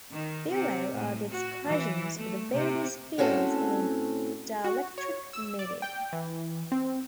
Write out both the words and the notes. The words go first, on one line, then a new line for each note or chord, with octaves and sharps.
Below are the expressions for the various fields in a dielectric medium.
D#3
C3
A2
F#4
E3
A3
C3
A2 C4 C#4 F#4 A4
F#4
C#5
E6
D5
G5
E3
C4